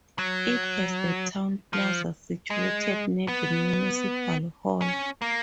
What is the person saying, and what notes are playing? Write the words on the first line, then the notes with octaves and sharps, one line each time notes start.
It has a town plaza situated near the municipal hall.
F#3
F3
G#3
B3
C#4
A#3